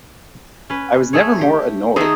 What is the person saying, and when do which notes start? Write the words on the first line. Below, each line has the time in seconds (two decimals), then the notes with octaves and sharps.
I was never more annoyed!
0.70 C#4 B4
1.13 A3 G#4 C#5
1.41 G4
1.96 D#3 A3 D#4 G#4 C5